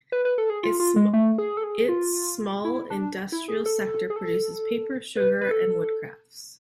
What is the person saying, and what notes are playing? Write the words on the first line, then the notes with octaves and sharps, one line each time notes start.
Its small industrial sector produces paper, sugar, and wood crafts.
B4
B4
A4
G#4
F4
F4
G#3
A3
G#4
A4
G#4
F4
E4
D4
E4
G#4
A4
G#4
A4
B4
B4
A4